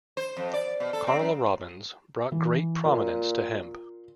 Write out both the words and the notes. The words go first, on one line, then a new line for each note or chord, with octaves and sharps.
Karl Robbins brought great prominence to Hemp.
C5
F2
D5
B2
A4
C4
F#2
E3
A#2 F4